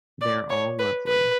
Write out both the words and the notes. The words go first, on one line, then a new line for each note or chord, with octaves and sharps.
They're all lovely.
D5
C#5
B4
B4